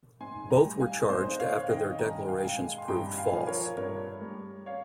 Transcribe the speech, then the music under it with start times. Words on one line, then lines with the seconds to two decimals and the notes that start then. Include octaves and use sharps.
Both were charged after their declarations proved false.
0.20 G#2 G#5 C6
0.50 G5 A#5
0.65 G3
0.80 F5 G#5
1.09 G#2 C5 D#5
1.40 C#5 F5
1.55 D#3
1.69 D#5 G5
1.99 G2 A#5
2.09 G#5
2.19 G5
2.28 F5 G#5
2.38 G5
2.43 G#3 F5 G#5
2.78 C6
2.88 G2 G5 A#5
3.18 F5 G#5
3.33 F3
3.47 A#4 C#5
3.77 G2 A#4 C#5
4.21 G3
4.66 C#5 F5